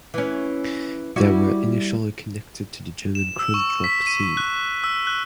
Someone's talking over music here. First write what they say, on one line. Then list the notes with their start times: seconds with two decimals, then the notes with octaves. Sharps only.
They were initially connected to the German krautrock scene.
0.14 E3 C#4
1.16 G3 E4 F#4
3.15 E7
3.39 E6
3.54 C#6
3.84 B6
4.07 D#7
4.37 F#6
4.84 E6
5.07 F#6